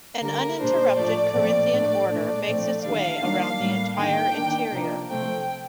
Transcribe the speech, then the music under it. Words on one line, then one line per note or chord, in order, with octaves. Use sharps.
An uninterrupted Corinthian order makes its way around the entire interior.
D3 G3 A#3 A#4
A#2 G3 D4 C5
A2 F3 A3 D5
A#2 F3 A3 C4
A2 A3 D4
A#2 A3 D4 D5
A#2 F3 A3 C4
D#3 G3 D4 F5
D#3 G3 A#3 D4
A2 G3 A#3 D4
D#3 A#3 D4 G5
D#3 A#3 D4
C3 F3 A#3 D4
C3 F3 A3 C4 G5